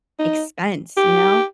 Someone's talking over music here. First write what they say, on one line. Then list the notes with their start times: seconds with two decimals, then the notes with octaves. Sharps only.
expense, you know?
0.19 D#4
0.97 G4